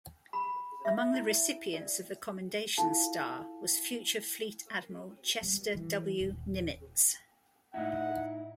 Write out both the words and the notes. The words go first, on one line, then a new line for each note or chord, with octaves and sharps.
Among the recipients of the Commendation Star was future Fleet Admiral Chester W. Nimitz.
B5
E5
E4
D5
E4 F4 A4 F5 A5
G3
E3
D#1
A2 D#4 E4 F#5 A#5